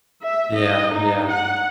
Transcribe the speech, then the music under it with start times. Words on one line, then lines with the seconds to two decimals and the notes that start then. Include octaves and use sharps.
Yeah, yeah.
0.23 E5
0.57 D#5
0.93 D#4
1.31 F#5